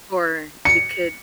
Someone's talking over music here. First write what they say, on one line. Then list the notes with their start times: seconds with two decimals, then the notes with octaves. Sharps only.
Or you could
0.65 C#7